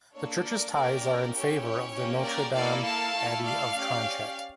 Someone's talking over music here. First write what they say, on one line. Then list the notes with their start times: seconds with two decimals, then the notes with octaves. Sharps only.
The church’s tithes are in favor of the Notre-Dame abbey of Tronchet.
0.13 A#3 D4 A4 C#5
0.43 A#4 D5
0.73 A#3 C#4 G4 A#4 D5
1.33 C#4 E4 G4 C#5
1.63 C#5
1.94 A#3 C#4 G4
2.24 A#4 D5
2.53 A#3 E4 A4 D5 F5
2.84 F5 A5
3.15 A3 E4 A4
3.44 D5 F5
3.74 C#4 G4